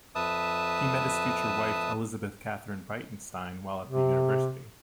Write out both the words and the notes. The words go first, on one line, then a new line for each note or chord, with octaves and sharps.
He met his future wife, Elizabeth Katherine Breitenstein, while at the university.
F2 B4 E5 A5 D#6
C3